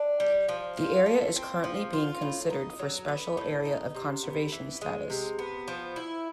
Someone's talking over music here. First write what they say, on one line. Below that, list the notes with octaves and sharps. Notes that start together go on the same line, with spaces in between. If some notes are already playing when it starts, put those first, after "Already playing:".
The area is currently being considered for Special Area of Conservation status.
Already playing: D4
G3
F3
F4
A3
C4
F3
F4
A2
D#4
F#3
B3
A2
D#4
C3
B3
E3
G#3
C3
B3
F3
E4